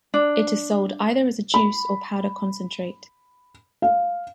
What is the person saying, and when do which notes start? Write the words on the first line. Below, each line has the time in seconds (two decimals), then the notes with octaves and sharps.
It is sold either as a juice or powder concentrate.
0.14 D4
1.54 B5
3.82 F5